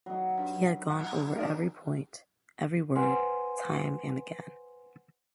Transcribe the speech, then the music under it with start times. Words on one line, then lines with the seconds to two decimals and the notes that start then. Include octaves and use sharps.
He had gone over every point, every word, time and again.
0.06 F#3 D#4
0.37 G2
0.90 F#5
1.36 D4 D#4 A#4 D5
2.96 B4 C5 F#5 G#5 C6